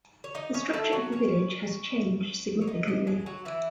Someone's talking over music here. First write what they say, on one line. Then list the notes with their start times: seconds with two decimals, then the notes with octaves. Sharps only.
The structure of the village has changed significantly.
0.24 C#5
0.35 D#4 D#5
0.54 C#4 C#5
0.74 A3 A4
0.92 F#3 F#4
1.12 C#4 C#5
2.61 C#5
2.67 D#4 D#5
2.87 D#4 D#5
3.07 G#3 G#4
3.26 F#3 F#4
3.45 E3 E4